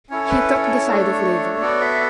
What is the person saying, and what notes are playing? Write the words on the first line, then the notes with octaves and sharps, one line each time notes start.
He took the side of labor.
C#4 E4 A4 C#5
B4
C#5
A3 D4 A4
B3 F#4 A4 D5
E5